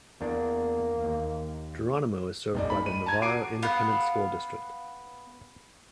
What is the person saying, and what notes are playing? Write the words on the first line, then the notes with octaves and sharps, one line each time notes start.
Geronimo is served by the Navarro Independent School District.
E2 A#3 D4
D#2
F1 D#4 D5
B5
D#7
A5 A#5 G#6
F#4 D6 C7 D7 D#7
B3 F5 F#5